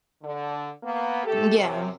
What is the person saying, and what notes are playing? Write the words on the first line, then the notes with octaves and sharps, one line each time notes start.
M yeah,
D3
A#3 B3
A3 G4 A4
F#2 C3